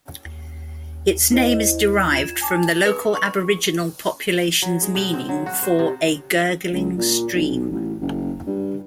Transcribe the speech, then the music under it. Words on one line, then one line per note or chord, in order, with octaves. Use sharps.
Its name is derived from the local aboriginal population's meaning for, "a gurgling stream".
D#2
E4 C5 D#5
F4 G#6 E7
G#5 A5 D6
B4
C#6
F#3
G#3
B2
C4
F#3
F#4
C5
C3
C#2
A#2
B1
A1
F#1
G2